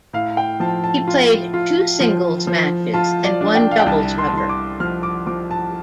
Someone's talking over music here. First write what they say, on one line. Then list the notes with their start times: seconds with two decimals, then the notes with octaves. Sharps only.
He played two singles matches and one doubles rubber.
0.13 A2 F5
0.37 G5
0.60 F3 A5
0.84 A5
1.08 F4
1.54 F4
2.00 F3
2.47 F3
2.94 F4 A5
3.24 D5
3.41 D4
3.55 G5
3.72 F5
3.79 G5
3.86 C2 A5
4.18 C6
4.28 A5
4.34 C2 C6
4.49 D6
4.80 F3 F6
5.03 D6
5.27 F3 D6
5.51 A5